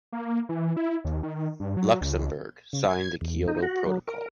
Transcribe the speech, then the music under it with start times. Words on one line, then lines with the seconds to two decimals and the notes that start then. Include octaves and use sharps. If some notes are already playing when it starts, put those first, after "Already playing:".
Luxemburg signed the Kyoto Protocol.
0.13 A#3
0.49 E3
0.77 E4
1.05 D#2
1.23 D#3
1.60 G2
1.77 F#3
2.01 C#2
2.73 C#3
2.89 G#6
3.21 E2
3.48 D#4
3.62 F#4
3.86 F#3
4.07 A#4